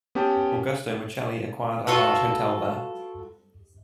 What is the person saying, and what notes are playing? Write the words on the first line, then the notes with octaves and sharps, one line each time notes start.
Augusto Michieli acquired a large hotel there.
B3 C#4 G4 G5 A5
F4 F#4 A4 B4